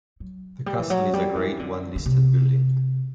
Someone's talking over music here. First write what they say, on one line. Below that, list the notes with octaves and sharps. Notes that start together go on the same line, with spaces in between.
The castle is a Grade One listed building.
F#3
G3
E3
F#3
G3
E3
D3
D3
C3